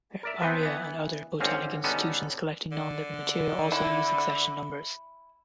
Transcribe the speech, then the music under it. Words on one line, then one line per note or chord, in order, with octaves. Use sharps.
Herbaria and other botanic institutions collecting non living material also use accession numbers.
A#4 D5 E5
B3 C4 B4 A5
E3 B3
G#1 D3 C4 C#4 C#5 F5
D3 G3 B3 C#4 D#4 A4
D3
E4